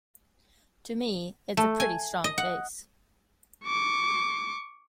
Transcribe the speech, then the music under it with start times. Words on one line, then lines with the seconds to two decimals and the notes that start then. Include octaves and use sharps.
To me, it's a pretty strong case.
1.57 A3
1.80 G#5
2.24 D#5
2.38 F#5
3.65 C#6 D6